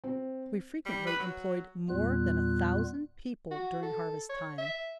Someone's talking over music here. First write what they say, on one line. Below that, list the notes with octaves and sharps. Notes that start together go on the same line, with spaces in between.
We frequently employed more than a thousand people during harvest time.
C4
G3
B4
F#3
E2 A#2 G3 B3 F4 F#6
F#4
A4
C#5
E5